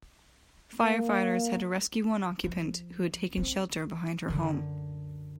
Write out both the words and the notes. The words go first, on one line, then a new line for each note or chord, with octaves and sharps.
Firefighters had to rescue one occupant who had taken shelter behind her home.
A#3
F3
C4
F#2 D3